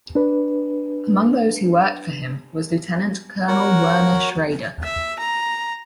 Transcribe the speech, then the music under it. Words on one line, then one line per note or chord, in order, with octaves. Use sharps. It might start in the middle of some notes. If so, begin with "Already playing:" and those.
Among those who worked for him was Lieutenant Colonel Werner Schrader.
D4 B4
F#4 A#4 C#5 F#5
E5
A#5